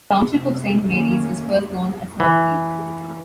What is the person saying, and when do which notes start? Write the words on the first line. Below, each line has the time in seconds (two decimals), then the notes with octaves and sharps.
The township of Saint Marys was first known as South Creek.
0.23 C3
0.86 D#3 A3 A#3 C#4
2.20 E3